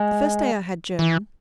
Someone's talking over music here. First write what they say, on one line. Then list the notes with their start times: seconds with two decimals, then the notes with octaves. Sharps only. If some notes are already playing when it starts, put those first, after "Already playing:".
The first day I had German.
Already playing: G#3
0.99 E3